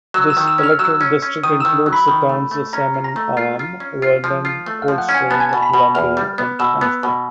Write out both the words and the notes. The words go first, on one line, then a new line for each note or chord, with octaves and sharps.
This electoral district includes the towns of Salmon Arm, Vernon, Coldstream, Lumby and Armstrong.
F#3 E6
E6
D#3
E6
C#4
F6
F#3 E6
C#4
C#4
D#3 D#6
D#3 E6
F#3
B5
D#3
A3
A3
C#4 A#5
F4
A#5
A3
F4
F4
C#4
F4
F3
F4
A3
F5
F3
F#5
C#4
G#5
B3 A5
G#5
B2 A5
B5
B2
E2 F6
G3
B3
B2 E6
B3
B2